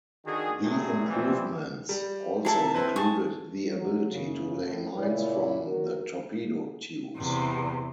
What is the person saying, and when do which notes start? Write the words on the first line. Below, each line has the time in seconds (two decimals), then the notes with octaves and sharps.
The improvements also included the ability to lay mines from the torpedo tubes.
0.25 D3 D#3 F#4 G#4
0.61 A#1 F#2 F#3 G3 A3 G#4
1.08 F2 E3 F3 G3 B3 C4
1.89 G3
2.45 F#3 E4 G#4 A4 G#5
2.59 C3
2.74 C4 E4 B4
2.96 G#4 A5 C#6
3.69 F#3
4.11 F#2 C#3
4.62 F#2 A2
4.98 A#2 C#3 E4 C#5 D5
5.66 F#3 F#4 A#4
7.17 E2 C3